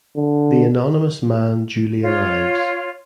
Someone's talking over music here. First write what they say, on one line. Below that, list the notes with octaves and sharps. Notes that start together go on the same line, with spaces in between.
The anonymous man duly arrives.
D3
F4 C#5